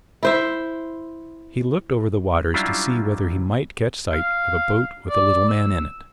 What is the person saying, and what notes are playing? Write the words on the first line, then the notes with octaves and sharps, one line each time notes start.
He looked over the waters to see whether he might catch sight of a boat with a little man in it.
E4 C5 E5
F#3 G3 C#4 D4 E4 F4
F5
D5
E6